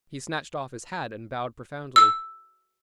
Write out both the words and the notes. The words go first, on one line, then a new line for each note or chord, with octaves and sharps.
He snatched off his hat and bowed profoundly.
E6